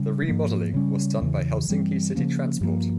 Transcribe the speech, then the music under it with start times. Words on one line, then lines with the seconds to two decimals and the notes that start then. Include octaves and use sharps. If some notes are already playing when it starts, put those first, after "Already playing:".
The remodelling was done by Helsinki City Transport.
Already playing: C#3 G3 C#4
0.28 G#2 F3 A#3
0.74 C#3 G3 C#4
1.21 E2 C#3 E3
1.68 G2 E3 G3 C4
2.15 C#3 F3 A#3 C#4
2.61 G2 F3 A#3